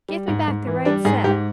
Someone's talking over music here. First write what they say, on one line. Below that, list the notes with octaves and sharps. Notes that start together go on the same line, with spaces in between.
'Give me back the right set.
G3
G#2
G#2
E3
G3 D4
G#2 G#4
G#2 G4